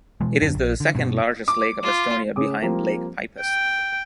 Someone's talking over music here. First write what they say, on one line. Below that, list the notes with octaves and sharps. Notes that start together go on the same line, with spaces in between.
It is the second largest lake of Estonia behind Lake Peipus.
B2 E3 F3 G#3
D#1 F#2 D3 D4
A#1
D3
G2 B2
D6
F4
C#3 C#4 G#4 D6 D#6
F3 G3 A#3 C4 G4
G5